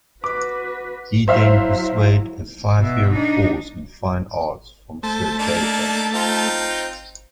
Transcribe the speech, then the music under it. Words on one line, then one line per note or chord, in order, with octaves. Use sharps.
He then pursued a five-year course in Fine Arts from Sir J. J.
F#4 B4 D6
F#3 E4 C5 E5 F5
B2 E5
D4 D#4
A3 C5 A5
A#3 D4 D#4
C4 D#4 F4